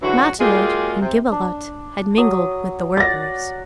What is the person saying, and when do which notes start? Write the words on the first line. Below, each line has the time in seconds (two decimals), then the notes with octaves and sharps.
Matelote and Gibelotte had mingled with the workers.
0.02 G#2 D3 E3 F#3 F#4
0.40 F#3 G#3 A#3 F4 G4 G#4
1.01 C3
1.32 D4
2.18 F#3 D#6
2.97 D5 F#5 A6 A#6